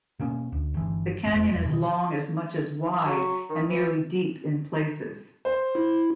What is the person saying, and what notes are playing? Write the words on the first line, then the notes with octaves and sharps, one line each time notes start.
The "canyon" is long, as much as wide, and nearly deep in places.
B2 A#3 C#4
D2
G1 E3
E1 F2
B2 D#3
F#3
D#3
E3
C5
E4